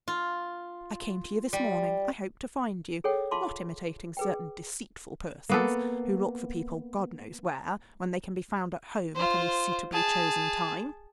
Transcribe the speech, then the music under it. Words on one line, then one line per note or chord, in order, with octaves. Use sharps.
I came to you this morning, I hoped to find you, not imitating certain deceitful persons who look for people, God knows where, when they can be found at home at any suitably chosen time.
F4
G3
G#4 A4 C#5 F#5 G5
F4 F5 A5 C6 D6
G#4 B4 G5
A#3 B3 A4
F4 C5
G#4 A5